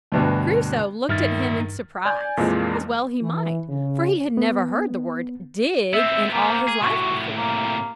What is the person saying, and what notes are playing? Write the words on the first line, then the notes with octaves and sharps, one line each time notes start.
Crusoe looked at him in surprise, as well he might, for he had never heard the word "dig" in all his life before.
D2 G2 B2
G2 D#3 D#4 E5 F6 A6
D5 G#5 G6
F2 A#2 E3 F3 G#3 A#3
E3
C#3
B3
B3 C4 E5
A#3
G#4
A2 C3 F#4
A#3